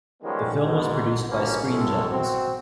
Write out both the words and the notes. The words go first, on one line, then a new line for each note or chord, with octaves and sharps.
The film was produced by Screen Gems.
D#3 F3 G3 G#3 B3 C#4
D2 G#2 B2
G2 B2 F3 A#3 B3 C#4
F#2 A2 G#3 C#4 A4
C4 F#4